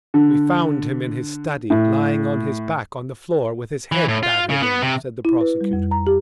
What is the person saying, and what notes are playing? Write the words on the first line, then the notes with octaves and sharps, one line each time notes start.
"We found him in his study, lying on his back on the floor, with his head battered in," said the prosecutor.
D3
A2
E3
A2
F4
C#3
B3
C3
E4
B4
G3
F2
A#5
G4